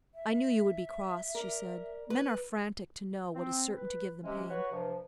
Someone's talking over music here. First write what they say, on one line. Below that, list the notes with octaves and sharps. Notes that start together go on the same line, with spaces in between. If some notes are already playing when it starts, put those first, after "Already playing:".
"I knew you would be cross," she said; "men are frantic to know what is certain to give them pain."
E5
A#4 D5
B4
C4
B4
C3 E3 F#3 G#3 C#4 G4
F#4 B4 C#5
G2 C3 E3 F3